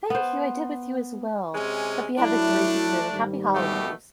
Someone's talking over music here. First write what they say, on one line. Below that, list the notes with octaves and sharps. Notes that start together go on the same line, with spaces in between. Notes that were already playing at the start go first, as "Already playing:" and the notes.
Thank you, I did with you, as well. Hope you have a great evening, and happy holidays.
B3 C5
C3 G#3 C#4
F#3 A3 D4 E4
G#2 D#3 G3
B2 A3 G4